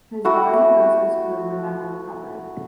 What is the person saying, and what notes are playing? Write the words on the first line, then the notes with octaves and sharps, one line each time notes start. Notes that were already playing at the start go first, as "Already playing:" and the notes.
His body and those of his crew were never recovered.
A3 E4 F#4